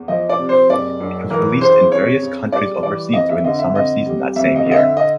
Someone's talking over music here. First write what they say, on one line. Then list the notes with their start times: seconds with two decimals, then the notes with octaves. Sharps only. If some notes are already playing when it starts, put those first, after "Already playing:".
It was released in various countries overseas during the summer season that same year.
Already playing: E2
0.08 F3 D#5
0.29 D5
0.39 C3
0.49 C5
0.69 F#1 D5
1.00 F#2
1.30 E3 A#4
1.61 C#3 C5
1.92 F2 C#5
2.23 C#3
2.52 G3 D5
2.83 E3 D5
3.13 F2 D#5
3.30 E5
3.44 D3 D#5
3.59 E5
3.74 F2 D#5
4.06 G3
4.36 F2 E5
4.56 D#5
4.66 D3
4.72 D#5
4.76 E5
4.97 D#5